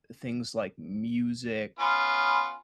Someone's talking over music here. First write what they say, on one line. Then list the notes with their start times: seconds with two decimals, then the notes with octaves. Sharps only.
things like music
1.79 B3 C#4 F4